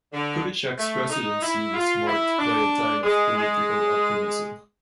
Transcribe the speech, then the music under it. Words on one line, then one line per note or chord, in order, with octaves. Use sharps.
Kubitschek's presidency was marked by a time of political optimism.
D3
A3
D#4
E4
F4
E4
D4
G#3
G#3